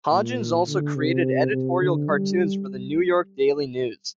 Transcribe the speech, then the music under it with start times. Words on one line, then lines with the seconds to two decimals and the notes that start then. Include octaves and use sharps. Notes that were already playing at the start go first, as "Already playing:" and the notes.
Hodgins also created editorial cartoons for the New York Daily News.
0.11 A#2
0.67 D3
0.96 C3
1.52 C3
1.80 D3
2.09 G3